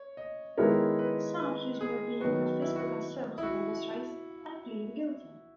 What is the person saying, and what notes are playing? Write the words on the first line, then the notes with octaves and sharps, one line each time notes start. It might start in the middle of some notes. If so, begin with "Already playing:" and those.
Some accuse me of being the fiscal conservative in this race-I plead guilty!
Already playing: C#5
D#5
D#3 G#3 B3 E4 A#4 C#5
B4
B4
G#4
D#3 F#3 B3 F#4
E4
F#4
E4
F#4